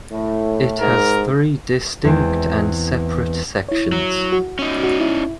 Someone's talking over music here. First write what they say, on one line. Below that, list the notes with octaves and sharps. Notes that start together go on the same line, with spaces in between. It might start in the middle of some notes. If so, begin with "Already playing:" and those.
It has three distinct and separate sections.
A2
G#2 A#4
E2 G#3 C4
E4 C#5
F#3
F#4
C#4 D#4
F#4
E4